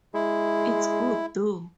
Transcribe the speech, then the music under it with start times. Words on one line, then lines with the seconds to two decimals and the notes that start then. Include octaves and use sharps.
It's good though!
0.14 G#3 E4